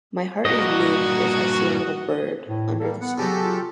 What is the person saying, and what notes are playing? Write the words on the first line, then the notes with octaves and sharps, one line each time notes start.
My heart is moved if I see a little bird under the snow.
G2 A#2 F#4 D#5
A2
G3 A#3 A4
B3 F#5
C#3 F#3 G4 A4
F4